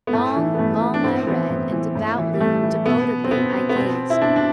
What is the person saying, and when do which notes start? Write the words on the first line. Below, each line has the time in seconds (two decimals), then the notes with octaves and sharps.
Long--long I read--and devoutly, devotedly I gazed.
0.07 B3
0.13 A2 A3
0.36 E3
0.54 B3
0.59 A2 A3
0.82 E3
0.94 D4
1.04 A2 C4
1.27 E3 B3
1.49 A2
1.72 E3
1.95 A2
2.18 E3
2.34 G3
2.40 A2 A3
2.63 E3
2.86 B2 B3
3.24 C4
3.31 B2 B3
3.69 B3
3.76 B2 C4
4.10 E4
4.21 B2 D4
4.36 D4